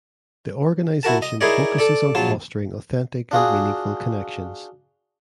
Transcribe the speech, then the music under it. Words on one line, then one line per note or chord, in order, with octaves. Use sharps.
The organization focuses on fostering authentic and meaningful connections.
E4 F#4 A#4 A5
D#5
D#4 E4 G#4 A#4 C#5 D5
A4 D5
A#1 F#3 F4 A5
D4 F4 F#4 G#4